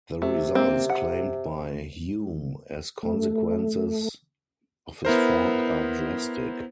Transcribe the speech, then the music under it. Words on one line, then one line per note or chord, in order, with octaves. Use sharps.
The results claimed by Hume as consequences of his fork are drastic.
C3 A3
A#3 C4
F#5
A3
B3 E4 A#4 C5